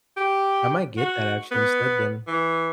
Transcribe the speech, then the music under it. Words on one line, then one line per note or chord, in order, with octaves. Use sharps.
I might get that actually instead then,
G4
F#4
B3
E3